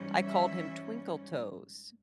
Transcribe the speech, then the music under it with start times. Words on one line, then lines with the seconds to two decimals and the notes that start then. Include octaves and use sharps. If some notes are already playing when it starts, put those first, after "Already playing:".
I called him Twinkle Toes,
Already playing: G#2 E3 G3 C#4
0.24 E5